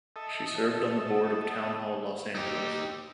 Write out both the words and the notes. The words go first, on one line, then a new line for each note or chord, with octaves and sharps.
She served on the board of Town Hall Los Angeles.
A4 D#5 E5
D#4 G4